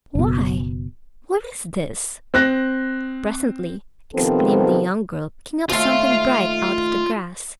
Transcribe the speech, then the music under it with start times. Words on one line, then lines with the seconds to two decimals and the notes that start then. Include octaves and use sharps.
"Why, what is this?" presently exclaimed the young girl, picking up something bright out of the grass.
0.15 F#1 B2
2.34 C4 F#6 A#6
4.15 C3 D#3 F3 B3 C4 A4
5.69 D#2 A3 F4 F5